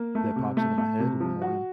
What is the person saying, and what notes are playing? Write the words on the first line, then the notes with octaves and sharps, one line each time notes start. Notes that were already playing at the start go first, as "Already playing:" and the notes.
that pops into my head in the morning.
Already playing: A#3
A3
C3
A3
A3
C3
F3
F#4